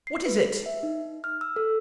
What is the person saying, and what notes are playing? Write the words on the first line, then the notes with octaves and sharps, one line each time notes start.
What is it?
C7
B4
E5
D#4
F6
E6
A4